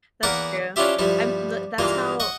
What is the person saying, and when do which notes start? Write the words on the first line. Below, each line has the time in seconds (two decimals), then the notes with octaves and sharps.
That's true. I'm the that's how
0.23 E2 A#3 A#4 B4 F#5 D6
0.76 C#4 D4 E4 F4 G4 E5
0.99 G2 F3 G3 E4
1.78 G2 E3 G#3 A#3 F4
2.20 D#5 F#5 C#6